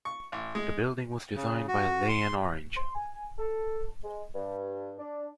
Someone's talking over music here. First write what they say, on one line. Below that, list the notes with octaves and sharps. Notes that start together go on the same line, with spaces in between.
The building was designed by Leigh and Orange.
C#6
A1
G#3
C#3
F#4
C6
C6
G#5
A4
G#3
G2
D4